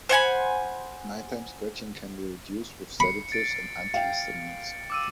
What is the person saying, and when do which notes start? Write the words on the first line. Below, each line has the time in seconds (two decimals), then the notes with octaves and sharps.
Nighttime scratching can be reduced with sedatives and antihistamines.
0.09 C5 F#5 G#5 B5
3.00 B5 C7 C#7
3.32 A6 D7
3.94 F5 G5
4.90 D6 E6 D#7